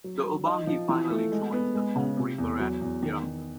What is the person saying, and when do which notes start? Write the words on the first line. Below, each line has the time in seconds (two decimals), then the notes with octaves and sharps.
The Ubangi finally joins the Congo River at Liranga.
0.04 F#3
0.25 F#3
0.46 D#4
0.67 F3
0.89 E3
1.10 A3
1.32 G#3
1.53 B3
1.75 G#3
1.96 C#3
2.17 C3
2.38 E2
2.60 F#3
2.81 E2
3.03 D#3
3.23 D#3